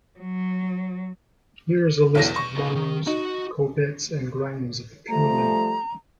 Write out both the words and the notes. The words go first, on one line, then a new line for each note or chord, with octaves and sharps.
Here is a list of Munros, Corbetts and Grahams of the Cuillin.
F#3
B1 E2 B4 D5 A#6
C#6
B3 D#4
D#3
D#4 F#4
F3 G3 A3 A#5